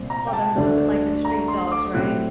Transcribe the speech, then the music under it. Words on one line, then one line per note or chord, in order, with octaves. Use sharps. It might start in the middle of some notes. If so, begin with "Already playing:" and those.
I call them those, eh, like, the street dogs, right?
Already playing: C2 A#2 C4
A#5
G5
A5
D2 D3 A3 D4
A#5
C6
D6
A2 F#3 C4 F#6